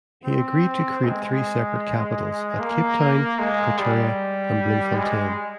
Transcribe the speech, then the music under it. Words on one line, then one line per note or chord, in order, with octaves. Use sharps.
He agreed to create three separate capitals, at Cape Town, Pretoria, and Bloemfontein.
C4
G#3
A#3
G#3
G3
G#3